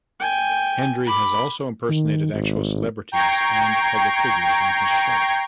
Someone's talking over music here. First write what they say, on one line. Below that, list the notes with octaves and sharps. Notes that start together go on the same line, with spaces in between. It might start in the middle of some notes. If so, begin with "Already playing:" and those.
Hendrie has also impersonated actual celebrities and public figures on his show.
G5 G#5
B5 D6
D#3
G#1
G5 A#5 C#6 G#6 C7 D7